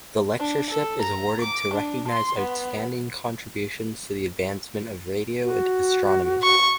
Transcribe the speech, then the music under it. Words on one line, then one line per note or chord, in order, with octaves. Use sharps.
The Lectureship is awarded to recognize outstanding contributions to the advancement of radio astronomy.
D4
A4
A#5
D6
D4
C6
B3
F#4
C#6